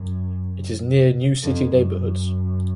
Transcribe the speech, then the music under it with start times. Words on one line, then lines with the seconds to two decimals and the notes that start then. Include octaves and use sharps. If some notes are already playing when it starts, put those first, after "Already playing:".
It is near new city neighborhoods.
Already playing: F#2
1.42 F2
1.70 F#2